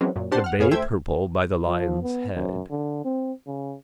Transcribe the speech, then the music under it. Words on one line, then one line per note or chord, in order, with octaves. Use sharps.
The bay purple by the Lion's head.
E3 F#3 G#3 C4 C#4
F#2 A#2
C4 D4 G4 F#5 A5 C6
F#5 F6
F#2 B3 G#4 C#5 F5
D2 A3 C5 E5 G5 G#6
F3
B3
F#2
D3
C4
C#3